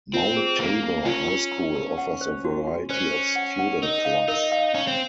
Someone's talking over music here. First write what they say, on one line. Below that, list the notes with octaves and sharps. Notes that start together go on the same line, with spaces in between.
Mount Tabor High School offers a variety of student clubs.
C4 F4
G#4
A#3 A#5
A#5
C#4 F4
A#5
A#5
A#5
F#5
C5
F#4
F#4
C#4 C5
C5
F#5
F#5
D#4 A#4
F5
D#4 A#4
F5
C#4 A#5
C4